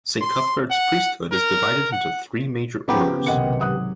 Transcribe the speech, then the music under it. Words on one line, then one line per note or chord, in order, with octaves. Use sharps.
Saint Cuthbert's priesthood is divided into three major orders.
C6
F#5
A#4
F#5
C#3 F3 B3 G4 A#5 B5 D6
B1 C3 D#3 D#5 F#5 C#7
G#2 F#3 F#5 D#6 F#6